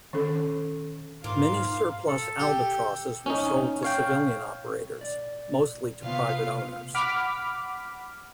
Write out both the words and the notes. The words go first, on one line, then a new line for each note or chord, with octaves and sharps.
Many surplus Albatrosses were sold to civilian operators, mostly to private owners.
D#3 C#4 A4
G#2 A#3 F4 F5
A4
G4
C#4 D#4
C#5 F5 G5
D5
C3 B3 F4 F5
F#5 B5 D6 F6 B6